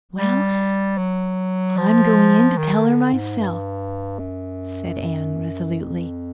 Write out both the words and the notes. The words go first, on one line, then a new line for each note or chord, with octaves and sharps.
"Well, I'm going in to tell her myself," said Anne resolutely.
G3
F#3
F3
D#3
D3
G#2
G2
F#2
F2